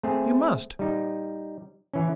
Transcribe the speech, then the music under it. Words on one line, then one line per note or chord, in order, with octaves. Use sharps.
You must....
A3 C4 G#4
G3 D#4
E3 C#4